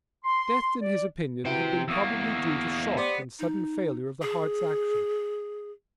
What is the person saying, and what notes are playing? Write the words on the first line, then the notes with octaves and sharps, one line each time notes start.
Death, in his opinion, had been probably due to shock and sudden failure of the heart's action.
C6
D5
C3 E4 F#4 B4 G5
E2 A#3 C#6 D#6 E6
B3 G4 C5 D5
D#4
G#4